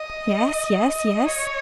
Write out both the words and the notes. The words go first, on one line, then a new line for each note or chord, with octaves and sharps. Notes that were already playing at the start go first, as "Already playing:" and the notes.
"Yes, yes, yes!"
Already playing: D#5
D#5
C#5